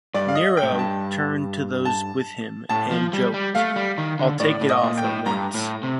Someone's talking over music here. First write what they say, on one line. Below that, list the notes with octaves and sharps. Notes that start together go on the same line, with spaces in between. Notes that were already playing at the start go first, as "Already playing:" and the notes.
Nero turned to those with him and joked, I'll take it off at once.
G2 D5
F5
D#5
G5
A2
G2
A5
A5
A2 A5
F3
G3
G3
A3 F5
G3
D#3
D3
A2 D5
A2
D#5
A#2
G5
A2
G2 A#5
A2
C3